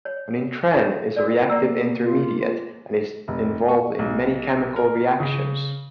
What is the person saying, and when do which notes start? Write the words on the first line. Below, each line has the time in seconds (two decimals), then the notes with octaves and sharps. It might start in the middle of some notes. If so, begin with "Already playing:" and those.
A nitrene is a reactive intermediate and is involved in many chemical reactions.
0.05 C#5
0.73 F4 C#5 F5
1.16 F#4 A#4 D5
1.50 A#3 D5 A#5 E6
2.01 F4
3.28 F1
3.68 C#6
3.99 B1
4.76 A#4
5.20 C#3